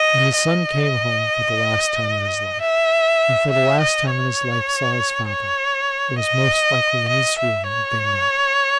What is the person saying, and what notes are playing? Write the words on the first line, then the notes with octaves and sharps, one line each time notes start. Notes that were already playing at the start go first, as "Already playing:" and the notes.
When the son came home for the last time in his life, and for the last time in his life saw his father, it was most likely in this room that they met.'
Already playing: D#5
D#5
E5
E5
D#5
C#5
C#5
D#5
D#5
E5
C#5